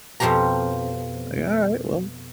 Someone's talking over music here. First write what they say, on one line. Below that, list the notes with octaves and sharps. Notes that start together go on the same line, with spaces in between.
like, "Alright, well"
F2 B2 F3 F4 G4 A#5